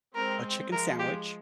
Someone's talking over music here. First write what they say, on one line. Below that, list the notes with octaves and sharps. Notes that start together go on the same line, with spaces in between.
a chicken sandwich.
G#3 C4 A#4
F3 G#3 A#4
G4